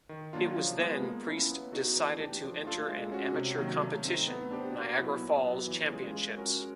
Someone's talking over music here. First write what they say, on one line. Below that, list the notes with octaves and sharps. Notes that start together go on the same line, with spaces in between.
It was then Priest decided to enter an amateur competition, Niagara Falls Championships.
D#3
F#3 A#3 D4 F4
F3
G#3 B3
A#3
C#4 E4
B3
D#4 F#4 A4
E3
A3 D4 G4
F3
A3 D4 F4 A4
G#3
C#4 F#4
C3
D#3 F#3 A#3 D#4
A3
C4 D#4
B3
D4 G4 C5
B2
F#3 B3 E4
A#2
F#3 B3
E3
G#3 C#4 F4 G#4
G#3
C#4 F#4 A#4